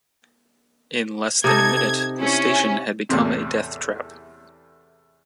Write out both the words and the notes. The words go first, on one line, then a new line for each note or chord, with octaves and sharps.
In less than a minute, the station had become a death trap.
C3 D#4 A4 G#6
C#4 E4
E2 A2 C3